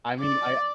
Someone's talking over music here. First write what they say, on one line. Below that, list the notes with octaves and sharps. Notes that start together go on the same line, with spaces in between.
I mean, I
D5